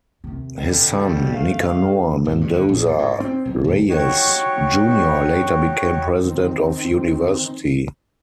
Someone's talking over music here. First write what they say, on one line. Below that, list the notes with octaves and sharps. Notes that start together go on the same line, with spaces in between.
His son, Nicanor Mendoza Reyes Junior later became president of University.
D#2 C3
B2 D3 G3
A3 F5
G#1
G2
D3
A#1
A2
G#2
C4
B1
D1
D#4 F#4 G4 C#5
D#3 C4